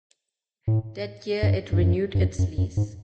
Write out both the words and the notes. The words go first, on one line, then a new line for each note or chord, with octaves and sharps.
That year it renewed its lease.
A2
G2
G2
F#2
G2
F#2
F#2
F#2
G#2